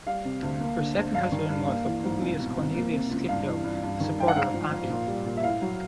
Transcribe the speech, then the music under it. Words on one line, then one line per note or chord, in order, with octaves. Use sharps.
Her second husband was a Publius Cornelius Scipio, a supporter of Pompey.
G3 F5
C3
D2
A#3
D3
D2
G2 F5
D#3
G2
A#3
E3
G#2
C2
B2
C2
A#3
C3
C#2
G2 F5
E3
G2
G2
D#3
G2 G5
F#5
G#2 F5
F3
G#2
A#2
G3
A#2
E5
A2 F5
F#3